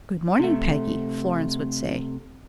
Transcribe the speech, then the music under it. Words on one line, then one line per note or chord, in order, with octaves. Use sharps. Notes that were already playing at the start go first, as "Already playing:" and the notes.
"Good morning, Peggy!" Florence would say.
C3 A3